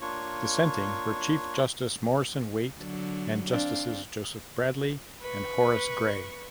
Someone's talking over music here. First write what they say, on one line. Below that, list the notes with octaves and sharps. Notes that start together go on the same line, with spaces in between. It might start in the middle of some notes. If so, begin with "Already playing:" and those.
Dissenting were Chief Justice Morrison Waite and Justices Joseph Bradley and Horace Gray.
A#3 D4 F4 C#5 C#6
D3 F#3
C4 D4 F5
B4 C#6